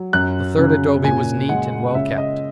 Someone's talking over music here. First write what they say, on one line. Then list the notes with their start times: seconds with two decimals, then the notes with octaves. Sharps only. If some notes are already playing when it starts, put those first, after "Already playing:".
The third adobe was neat and well kept.
Already playing: F#3
0.13 F#2 F#6
0.59 C#3
1.04 A#2 G#5
1.49 G#3 F#5
1.95 C#3 E5
2.18 D#5